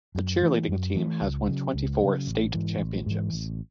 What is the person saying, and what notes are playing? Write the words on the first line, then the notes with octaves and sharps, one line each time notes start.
The cheerleading team has won twenty-four state championships.
F#2
E3 A3
F#2
E3 A3
C#2
C#3 F#3
C#2
C#3 F#3
A1
G#2 E3
A1
G#2 E3
A1